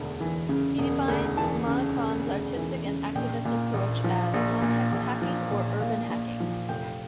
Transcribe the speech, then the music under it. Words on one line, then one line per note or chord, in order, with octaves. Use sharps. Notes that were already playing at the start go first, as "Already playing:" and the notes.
He defines monochrom's artistic and activist approach as 'Context hacking' or 'Urban Hacking'.
Already playing: E1 D2
E3
C#3
E1
D2
E3 A5
C#3
E1
D2
E3
C#3
A#1 G5
A#2
A#1
F3
A#1
A#2
A#1
F3
A#1
A#2 F5
A#1
F3
F1 G5